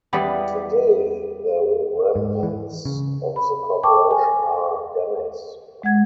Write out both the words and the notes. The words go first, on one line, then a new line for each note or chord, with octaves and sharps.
Today the remnants of the corporation are Denny's.
E2 E3 G3 B3 G4 D5
G#2
E3
C#3
B5
G5 A5 C#6 D6
G#5
G#3 F#5 G#6